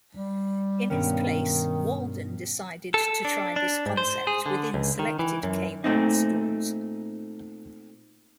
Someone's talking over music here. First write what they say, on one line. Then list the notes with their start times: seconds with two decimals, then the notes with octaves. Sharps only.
In its place, Walden decided to try this concept within selected Kmart stores.
0.15 G3
0.90 G2 B2 D#3 C#4
2.94 A4
3.25 D4
3.56 D4
3.86 G#2
3.97 C5
4.27 G#4
4.46 D3
4.74 C#2
4.99 D#3
5.19 E3
5.43 F#2
5.84 A#2 A3 C4 D#4